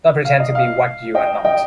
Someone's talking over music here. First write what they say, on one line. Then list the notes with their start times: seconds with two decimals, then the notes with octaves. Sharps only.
Don’t pretend to be what your are not.
0.25 F5
0.40 D#5
0.55 F5
1.15 D#5 G5
1.45 D#5 G5